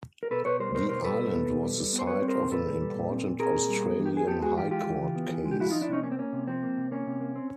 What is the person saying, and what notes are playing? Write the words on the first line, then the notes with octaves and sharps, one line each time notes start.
The island was the site of an important Australian High Court case.
A#4
B2 A4 B4
B2 B4 C#5
G3 A#4 C5
B2 A#4 C5
B2 A#4 C5
G3 A4 B4
B2
B3
B2
G3
G3
B3
C5
G3 B4 C#5
C4
A#4 C5
A#2
A#2 A4 B4
A#2
G3
A#2
C4
A#2
C4 G#4 A#4
A#2
G3
B3
E3
G4
B3 G#4
B3 G4 A4
G#3 F#4 G#4
E3 F4 G4
G#3 F4 G4
E3
E3
B3
E3
G#3
G4
F3 E4 F#4
F3 D#4 F4
D4 E4
C3 C#4 D#4
A#3 C#4
C4
A#3 C#4
C3
F3 C4
A#3
C3
A#3 C#4
C3
A#3
C4